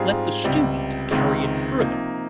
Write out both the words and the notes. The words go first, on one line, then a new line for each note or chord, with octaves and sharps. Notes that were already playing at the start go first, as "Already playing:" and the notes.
Let the student carry it further.
Already playing: G#2 G3 C4 F4 G#4
C#2 C3 G3
C#2 C3 D#3 G#3
C3 F3 A#3 D#4